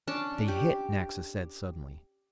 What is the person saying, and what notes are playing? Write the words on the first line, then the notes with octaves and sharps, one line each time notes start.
"They hit!" Naxa said suddenly.
C#4 D4 D5 A5
G4